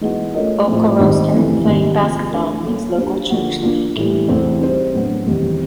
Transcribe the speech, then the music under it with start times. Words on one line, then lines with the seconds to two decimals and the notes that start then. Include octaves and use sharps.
Okoro started playing basketball in his local church league.
0.01 E3 G#3 B3 D#4 F#4
0.34 A3 C#4 F4 A#4 D#5
0.67 A2 F3 A3 C4
0.99 G#2 D#3 G3 C4
1.33 F2 C3 E3 A3
1.66 G#2 D#3 G3 A#3 D#4
1.98 C3 F3 G#3
2.31 A3 D4 F#4 A#4
2.64 A#3 C#4 F#4 A4
2.97 A#3 D4 G4
3.30 D3 F3 A#3 D4 F#4
3.62 A#3 D4 F4
3.96 A2 E3 G3
4.28 E2 C3 E3 A3 C4
4.61 G3 C4 D#4 G#4 C5
4.94 A2 F#3 B3 D4
5.26 E2 C3 D#3 G3 C4